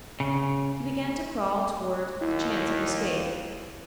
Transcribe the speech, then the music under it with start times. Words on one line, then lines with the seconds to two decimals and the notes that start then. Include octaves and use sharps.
He began to crawl toward the chance of escape.
0.20 C#3
2.21 D#2 E4